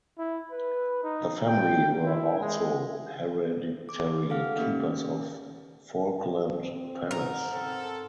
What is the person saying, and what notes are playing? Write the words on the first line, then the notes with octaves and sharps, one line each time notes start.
The family were also hereditary keepers of Falkland Palace.
E4
B4
D#4
G5
E4
G#3
D6
G#4 A4 F5 F#5 F6
A#3 C#4 D#4 G4
C4
G#2 A#4
C4 A4